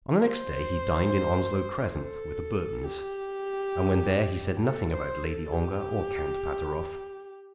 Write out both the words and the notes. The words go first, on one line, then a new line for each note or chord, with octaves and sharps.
On the next day he dined in Onslow Crescent with the Burtons, and when there he said nothing about Lady Ongar or Count Pateroff.
C5
A4
G4
A4
C5
A4
G4